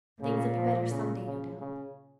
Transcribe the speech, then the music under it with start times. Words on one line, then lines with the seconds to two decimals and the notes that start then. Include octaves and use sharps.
Things'll be better some day, no doubt.'
0.21 A#2 C#3
0.56 F3
0.90 C#3
1.25 C#3
1.60 C#3